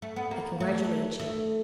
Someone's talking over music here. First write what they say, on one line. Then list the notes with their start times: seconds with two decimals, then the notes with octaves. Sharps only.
I congratulate ye.
0.02 A3
0.16 B3
0.31 A#3
0.60 A3
1.19 A3